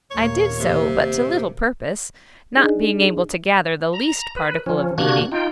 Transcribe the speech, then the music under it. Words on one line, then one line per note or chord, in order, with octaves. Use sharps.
I did so, but to little purpose, not being able to gather the least particle of meaning.
D#2 A#2 A#3 C#5
C3
D4 D#4 G#4
A#5
B4
F3 C#4
C3 A#3 D4 F#4 F#6 G#6
D#4 F4 G5